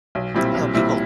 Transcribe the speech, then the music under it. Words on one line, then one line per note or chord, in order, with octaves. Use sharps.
you know, people
B1
A#2 G3 C4 E4
B1
A#2 G3 C4 E4